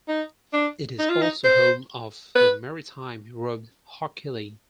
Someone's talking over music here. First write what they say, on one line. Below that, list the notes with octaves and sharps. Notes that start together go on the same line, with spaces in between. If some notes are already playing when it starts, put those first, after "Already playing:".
It is also home of the Maritime Road Hockey League.
D#4
D4
D#4
F4
D#4
C5
B4